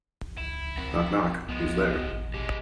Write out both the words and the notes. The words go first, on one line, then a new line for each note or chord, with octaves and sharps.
Knock knock! Who's there?
C#2 E4
C4 A#4 F#5
C2 F3 G#3 B3
A1
B2 G#3 G4